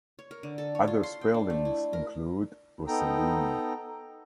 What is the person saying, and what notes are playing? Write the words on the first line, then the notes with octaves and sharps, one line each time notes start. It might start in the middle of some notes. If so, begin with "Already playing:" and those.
Other spellings include: Rosselini.
C#5
A#4
D3
A4
C#5
F4
C6
G5
D4
A3
E4
A#4
B3 D#4 A4 G5 A#5